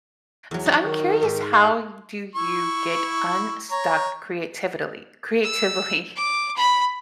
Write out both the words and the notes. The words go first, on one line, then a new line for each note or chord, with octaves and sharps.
So I'm curious how do you get unstuck creatively- creatively
E2 F#3
D#4 F#4
D#3
G#2
F5 C#6
E4 C#6
C#5 A#5
E6
D6
B5